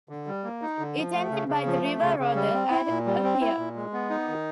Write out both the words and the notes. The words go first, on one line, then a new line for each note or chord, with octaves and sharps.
It ended by the River Rother at a pier.
D3
G3
A#3
D#4
D3
F3
A3
C#3
C#3
F3
A3
C#3
C#3
G3
C4
E4
A#2
G3
C4
E4
A#2
G#3
B3
D#4
D#3